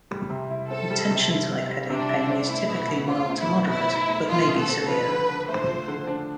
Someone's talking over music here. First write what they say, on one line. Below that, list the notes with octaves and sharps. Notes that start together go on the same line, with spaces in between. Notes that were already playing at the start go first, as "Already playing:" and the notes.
Tension-type headache pain is typically mild to moderate, but may be severe.
G3
C3
E4
C4 A4
G3
C3
E4
C4
G3
C3 D4
E4
C4
A3 E4
B2
B2
C4 F4
A3
E4
B2
B2 E4
C4
A3
B2 F4
B2
A4
C4
F3 B4
D3
D4
A3 C5
F3
D3
D4